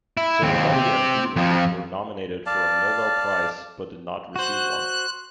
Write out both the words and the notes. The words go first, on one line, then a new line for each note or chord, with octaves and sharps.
Cerletti and Bini were nominated for a Nobel Prize but did not receive one.
E4
D#2 C4
C4 G4
F2 F3
D5 F5 A5
F#4 C5 F#6